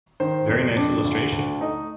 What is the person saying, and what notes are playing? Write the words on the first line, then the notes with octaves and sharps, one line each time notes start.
Very nice illustration!
D#3 C5
F2
F2 D4
D2
D2
A3 D#4